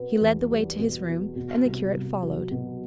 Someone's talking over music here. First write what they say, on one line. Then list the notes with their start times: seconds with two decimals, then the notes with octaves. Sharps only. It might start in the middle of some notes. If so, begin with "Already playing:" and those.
He led the way to his room, and the curate followed.
Already playing: B2 B3
0.21 E2
0.51 G3
0.78 B2
1.08 B3
1.36 B2
1.65 C2
1.94 C2
2.23 F#3
2.51 B2